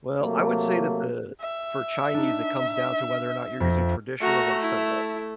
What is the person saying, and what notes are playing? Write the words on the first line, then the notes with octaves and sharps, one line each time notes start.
Well, I would say that the for Chinese, it comes down to whether or not you're using traditional or simple.
C3 F#3 A3 A#3
E5
D4 D#4
F2 A#6
A3 F#4 A#5
E4